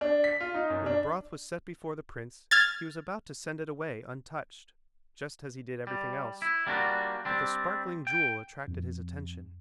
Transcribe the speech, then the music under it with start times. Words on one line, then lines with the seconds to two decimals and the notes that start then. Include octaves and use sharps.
When the broth was set before the prince he was about to send it away untouched, just as he did everything else, but the sparkling jewel attracted his attention.
0.01 D4
0.24 B6
0.40 F4
0.54 D#4
0.70 F#2
0.86 D4
2.51 F6 G#6 A6
5.87 G3
6.42 E4
6.67 G3 A#3 D4 F4 F#4
7.25 G3 C4 D4
8.07 G5
8.68 F2